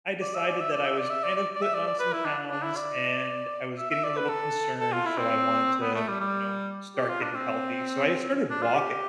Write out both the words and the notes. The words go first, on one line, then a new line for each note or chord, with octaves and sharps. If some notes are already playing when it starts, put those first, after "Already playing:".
I decided that I was kind of putting on some pounds and I was getting a little concerned, so I wanted to, you know, start getting healthy. So, I just started walking.
D5
E5
D5
E5
D5
E5
D5
E5
D5
D5
D5
E5
D5
D5
B4
E4
D4
D4
E4
D5
E5
E5
D5
B4
A4
A4
F4
E4
C4
B3
A3
G3
G3
G4
F4
D4
C4
D4
F4
G4